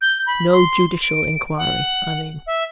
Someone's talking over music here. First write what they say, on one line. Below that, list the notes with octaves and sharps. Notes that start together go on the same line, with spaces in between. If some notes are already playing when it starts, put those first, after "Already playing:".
No judicial inquiry, I mean.'
G6
B5
C6
D7
F#5
E5